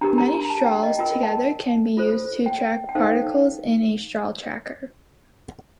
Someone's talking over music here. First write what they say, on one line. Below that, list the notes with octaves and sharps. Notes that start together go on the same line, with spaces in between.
Many straws together can be used to track particles in a straw tracker.
D4 G4 A#4 A#5
A#5
A#5
A5
G5
D#5
F4 A#4 G5
A5
F4 A4 C5
G5
G5
D#4 A4 C5 F5